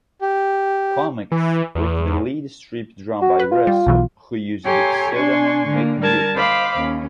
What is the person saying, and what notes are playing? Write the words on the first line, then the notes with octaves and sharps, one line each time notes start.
Comics, with the lead strip drawn by Russell, who used the pseudonym 'Mick Newton'.
G4
E3
E2
F#4
B4
F4
G3
B1 B2 E3
G4 A4 C#5 G#5 A#5 C6
D4 G#5 C6 C#6
D3 A#3
G3 A#4 A5 G#6
C5 D#5 F5 B5 D6
D#2 C#4